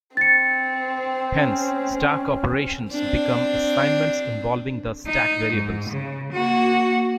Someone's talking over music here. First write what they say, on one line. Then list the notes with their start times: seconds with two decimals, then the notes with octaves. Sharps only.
Hence stack operations become assignments involving the stack variables.
0.17 C4 A6 C#7
1.33 C#4
2.91 C4 D4
5.07 D#4
5.53 G#2
5.89 C#3
6.32 A#3 F#4